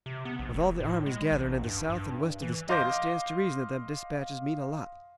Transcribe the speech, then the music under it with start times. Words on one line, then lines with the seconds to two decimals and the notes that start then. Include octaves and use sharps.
With all the armies gatherin' in the south an' west of the state it stands to reason that them dispatches mean a lot.
0.06 C3
0.25 B3
0.39 A#1
0.54 F1
0.80 A2
1.06 G#3
1.32 A1
1.64 G2
1.90 G2
2.42 E3
2.69 D#5 F5 C6 D6 G6 A#6